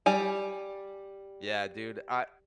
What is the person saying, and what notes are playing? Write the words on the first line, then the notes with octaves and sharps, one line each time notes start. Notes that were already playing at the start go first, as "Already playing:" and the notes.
Yeah, dude, I
G3 G#5